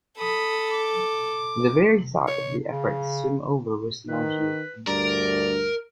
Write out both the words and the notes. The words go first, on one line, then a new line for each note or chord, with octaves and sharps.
The very thought of the effort to swim over was nauseating.
A4 B5 D#6
D6
C#5
C#3
D#3 B4
D2 G2 A#4 D5